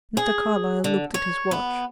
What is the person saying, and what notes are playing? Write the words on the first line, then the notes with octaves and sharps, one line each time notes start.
Mr. Carlyle looked at his watch.
G#4
D3
C#5
B3